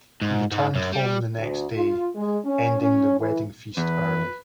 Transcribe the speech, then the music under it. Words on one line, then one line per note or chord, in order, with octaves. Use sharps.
He returned home the next day, ending the wedding feast early.
G#2
G#2
F#2
G3
D2
F4
G#3
C#4
C#4
E3
E2 B4